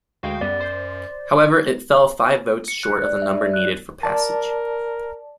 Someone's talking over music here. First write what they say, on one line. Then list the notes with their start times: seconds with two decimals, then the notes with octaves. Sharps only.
However, it fell five votes short of the number needed for passage.
0.23 D2 G#3 F#4 F5 G5
0.41 F#2 G3 B3 D5
0.60 C5
2.68 C#7
2.83 F#6
3.03 D5
3.22 E5
3.37 D5
3.54 F#6
4.03 A#4 D5 A5